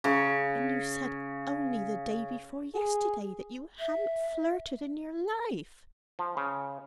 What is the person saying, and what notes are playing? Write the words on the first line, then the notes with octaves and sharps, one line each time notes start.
"And you said only the day before yesterday that you hadn't flirted in your life!"
C#3 C#6
G#4
E5
F3
C#3